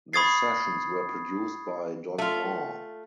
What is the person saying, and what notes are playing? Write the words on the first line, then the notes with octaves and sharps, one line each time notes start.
The sessions were produced by Don Law.
B5 C#6 D#6 G#6 A6 C7
A3 F4